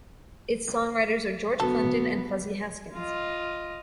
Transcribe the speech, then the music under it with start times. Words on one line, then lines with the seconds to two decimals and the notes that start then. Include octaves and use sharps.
Its songwriters are George Clinton and Fuzzy Haskins.
1.60 E1 F#2 D3 B3 F#4 A4
2.93 F4 D#5